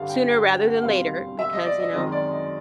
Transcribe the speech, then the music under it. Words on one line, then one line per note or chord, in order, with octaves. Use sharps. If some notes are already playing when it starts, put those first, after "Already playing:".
sooner rather than later, because, you know,
Already playing: G2 D3 G3 F5
G5
G5
G5
F#5
E2 B2 G3 C4 F5
E5
D#5
D5
D#5
F#2 D#3 G#3 C4 D#5
D5
D#5